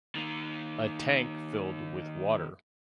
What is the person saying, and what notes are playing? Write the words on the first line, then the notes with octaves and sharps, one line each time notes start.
A tank filled with water.
D#3 A#3